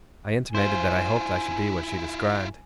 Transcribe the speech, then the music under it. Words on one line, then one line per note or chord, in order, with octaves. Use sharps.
I intimated that I hoped I should be what she described.
E4 F4 C5 G#5